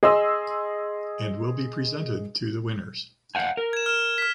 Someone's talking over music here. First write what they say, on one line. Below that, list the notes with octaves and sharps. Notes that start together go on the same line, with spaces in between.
And will be presented to the winners.
G#4 D#5 C6 D#6 E6
F5 F#5 G#5
A#4
G#6 E7
F6 E7
F6 B6